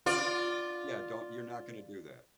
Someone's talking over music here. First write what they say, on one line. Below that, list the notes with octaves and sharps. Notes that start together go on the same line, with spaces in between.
Yeah, don't you're not gonna do that.
F4 D5